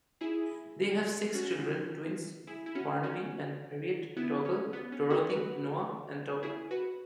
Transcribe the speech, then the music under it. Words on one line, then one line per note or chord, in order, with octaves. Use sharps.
They have six children, twins Barnaby and Harriet, Dougal, Dorothy, Noah and Toby.
E4 G#4
C#4 F#4
E4 G#4
E4
C#4 F#4
C#4 F#4
B3 E4
C#4
B3
C#4
C#4 F#4
F#4 B4
E4 G#4
F#4 B4